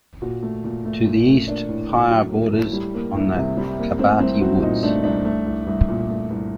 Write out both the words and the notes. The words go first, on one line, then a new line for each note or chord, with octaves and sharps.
To the east, Pyry borders on the Kabaty Woods.
A#2 F#4
A3
A#2
A3
A#2
A3
A#3 D4
A2
A2
F#3
A#3
A2
G3
A#3
C2
C3
G3
A#3
A3 C4
C2 C4
C2 F#4
A#2 D#4
A3 D4
C2 D4
A3
C2
C2
A#2
A3
C2